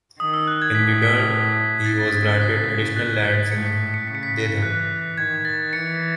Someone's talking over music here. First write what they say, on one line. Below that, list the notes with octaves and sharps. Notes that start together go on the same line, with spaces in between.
In return he was granted additional lands in Dedham.
D#3 D#6
E6
F#6
G#6
A2 B6
B6
C#3 A6
A6
G#6
F#6
B6
A6
F#6
B6
A2 C#7
B6
C#7
C#3 B6
C#7
B6
E3 F#6
D#3 G#6
A6
E3 C#7